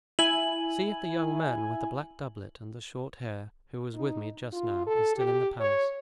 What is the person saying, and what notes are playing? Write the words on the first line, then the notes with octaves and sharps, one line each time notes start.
"See if the young man with the black doublet and the short hair, who was with me just now, is still in the palace."
E4 G#5 F#7
D#4
F4
A4
G4
C#5